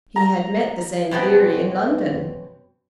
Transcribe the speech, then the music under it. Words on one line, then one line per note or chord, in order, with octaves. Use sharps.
He had met the same theory in London.
A#5
F#2 B2 B3 C4